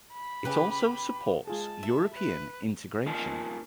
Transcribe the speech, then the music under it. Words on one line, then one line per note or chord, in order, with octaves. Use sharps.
It also supports European integration.
B5
C#3 C#4 G4 G#4 B4
G#3 F4 G#4 A5
E5
B4
A#3 D#4 F4 A#4 G#5 A5